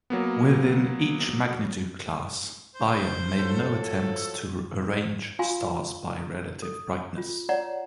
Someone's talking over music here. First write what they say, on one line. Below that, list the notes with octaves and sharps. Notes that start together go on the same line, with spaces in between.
Within each magnitude class, Bayer made no attempt to arrange stars by relative brightness.
F#3 A#3 B3
C5
F3 F#3 A4
F4 F5 G#5 C6
A4
F4
C#5 D5 F#5 A#5